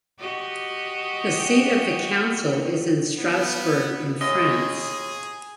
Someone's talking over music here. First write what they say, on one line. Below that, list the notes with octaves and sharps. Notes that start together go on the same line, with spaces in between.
The seat of the Council is in Strasbourg in France.
F#4 G4 D#5
B3
D#2 G#4 D#5 E5